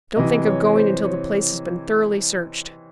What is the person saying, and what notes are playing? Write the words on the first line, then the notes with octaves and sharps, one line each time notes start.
Don't think of going until the place has been thoroughly searched.
C3 E3 D#5
C#5
C5
C#5